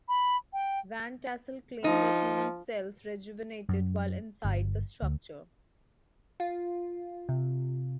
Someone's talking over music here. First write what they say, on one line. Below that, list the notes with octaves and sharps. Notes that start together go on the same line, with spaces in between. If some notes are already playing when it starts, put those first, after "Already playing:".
Van Tassel claimed that human cells "rejuvenated" while inside the structure.
B5
G5
F3 D#4
F#2
G1
D2
F4
C3